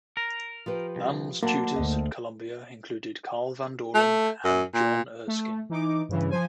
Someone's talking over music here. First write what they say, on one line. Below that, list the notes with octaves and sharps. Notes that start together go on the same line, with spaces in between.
Lamb's tutors at Columbia included Carl Van Doren and John Erskine.
A#4
F3 G4 B4
C2
D2 D3 F#3 A#3 F#4 F#5 A5
D2 D#5
A3
F#2
A#2
A3
E3 D#4 D6
G2 C#3 E3
F3 C5 G#5